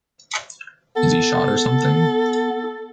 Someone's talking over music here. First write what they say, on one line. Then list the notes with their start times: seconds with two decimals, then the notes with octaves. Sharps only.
Is he shot or something?
0.96 B3 A4